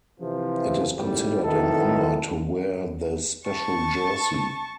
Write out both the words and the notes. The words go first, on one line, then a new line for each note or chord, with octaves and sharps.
It is considered an honor to wear the special jersey.
C3 E3 F3
G#1 A2 G3
B1 F2 D#3 E3 E4 A4
A5 C#6